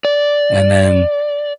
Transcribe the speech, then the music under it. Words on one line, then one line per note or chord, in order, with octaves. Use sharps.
And then
D5